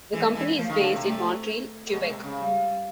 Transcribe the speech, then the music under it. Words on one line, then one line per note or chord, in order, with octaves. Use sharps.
The company is based in Montreal, Quebec.
E3 G#3
E3
F3 A3
D#3
D3
C3
A3
B2 G#3
C3
C#3
G3